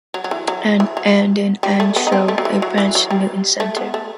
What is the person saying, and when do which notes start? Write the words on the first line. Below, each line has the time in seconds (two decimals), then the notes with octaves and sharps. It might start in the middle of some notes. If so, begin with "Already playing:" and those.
An and an show a branch to Newton Centre.
0.14 F#3
0.24 F#3
0.31 E3
0.48 F#3
0.80 E3
0.97 F#3
1.63 G3
1.80 A3
1.96 B3
2.07 D#4
2.12 C4
2.28 A3
2.38 F#3
2.45 E3
2.62 F#3
2.78 E3
2.95 F#3
3.11 G3
3.60 A3
3.77 B3
3.94 A3